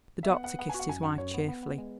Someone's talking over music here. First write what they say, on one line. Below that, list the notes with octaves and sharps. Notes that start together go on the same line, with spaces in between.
The doctor kissed his wife cheerfully.
E5
B3 F#5
B3 F#5
B3 F#5
F#4 G#5
F#5
F#2 G#5
F#2 F#5
F#2 C#5
B3
B3
B3
G#3